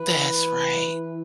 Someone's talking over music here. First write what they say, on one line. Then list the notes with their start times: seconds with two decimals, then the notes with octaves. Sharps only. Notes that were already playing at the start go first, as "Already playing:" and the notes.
That's right.
Already playing: E3 B4